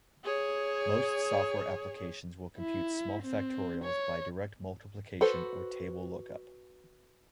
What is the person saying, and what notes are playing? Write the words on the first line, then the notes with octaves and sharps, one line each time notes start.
Most software applications will compute small factorials by direct multiplication or table lookup.
G#4 C#5
E4
C4
C#5
F#4 A4 B4 C5